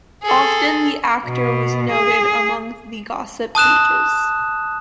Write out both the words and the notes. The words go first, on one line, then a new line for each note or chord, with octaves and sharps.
Often the actor was noted among the gossip pages.
G#4 A4
B2
G#4
A5 D#6 F#6 E7